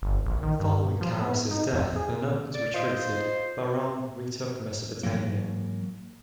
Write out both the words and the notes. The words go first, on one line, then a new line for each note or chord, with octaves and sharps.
Following Carus's death, the Romans retreated, Bahram retook Mesopotamia.
G1
A#1
D#3
G2
F3
B3
D#4
F2
G#4
D5
F4 C5 D#5
G#2 E3 F#3 A#3